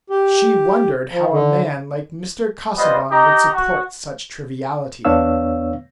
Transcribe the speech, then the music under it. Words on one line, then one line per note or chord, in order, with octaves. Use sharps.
She wondered how a man like Mr. Casaubon would support such triviality.
G4
F3
D3
G3 B3 F4 C5 D#5
D#4 G4 D#5 A#5
F#4
E2 B3 D4 C#5 F5 E6